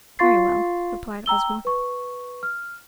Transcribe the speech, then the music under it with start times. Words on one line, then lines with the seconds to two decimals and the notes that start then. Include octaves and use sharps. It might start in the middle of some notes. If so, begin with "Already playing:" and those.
"Very well," replied Ozma.
0.19 F4 F5 C6 C#6 A6 C7
1.26 G5 A#5 E6 G7
1.65 B4 C#6
2.43 F6